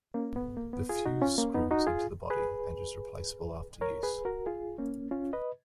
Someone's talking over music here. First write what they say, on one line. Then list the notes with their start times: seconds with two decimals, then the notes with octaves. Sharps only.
The fuze screws into the body, and is replaceable after use.
0.14 A#3 C#4
0.36 B3
0.57 A#3
0.73 B3
0.89 F4 G#4
1.06 D#4 F#4
1.22 C#4 F4
1.38 A#3 C#4
1.54 B3 D#4
1.71 D#4 F#4
1.87 F4 G#4
2.30 G#4 B4
3.81 A#4 C#5
4.03 G#4 B4
4.25 F#4 A#4
4.46 F4 G#4
4.78 A#3 C#4
5.11 C#4 F4
5.33 B4 D#5